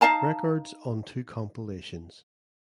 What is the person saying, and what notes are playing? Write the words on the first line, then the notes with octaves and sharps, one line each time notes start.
Records on two compilations.
D#4 F5 A5 A#5